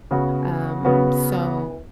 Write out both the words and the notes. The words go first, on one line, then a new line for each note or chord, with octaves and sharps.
um, so,
C#3 B3 F#4
C#3 B3 F#4 B4